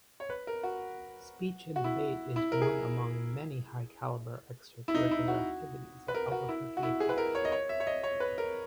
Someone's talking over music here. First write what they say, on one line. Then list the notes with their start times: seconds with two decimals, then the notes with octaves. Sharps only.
Speech and Debate is one among many high caliber extracurricular activities at Albuquerque Academy.
0.20 C#5
0.30 B4
0.47 A#4
0.63 F#4
1.76 F#4
1.84 E4
2.36 E4
2.52 A#4
2.62 G#4
4.88 E4
4.95 D#4
5.11 E4
5.28 F#4
6.08 B4
6.15 A#4
6.32 F#4
6.49 E4
6.77 F#4
6.83 E4
7.00 G#4
7.09 B4
7.18 A#4
7.35 C#5
7.45 D#5
7.52 C#5
7.69 E5
7.80 C#5
7.87 D#5
8.04 C#5
8.20 B4
8.38 A#4